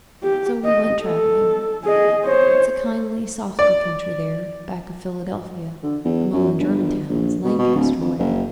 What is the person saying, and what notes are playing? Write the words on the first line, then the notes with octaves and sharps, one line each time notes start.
So we went travelling. It's a kindly, softly country there, back of Philadelphia among the German towns, Lancaster way.
G4
D#5
A4
G#4 D#5
C5 C#5
D5
D3
E2
F#2
G1
A#1
B2
B2
D1
F2
F#1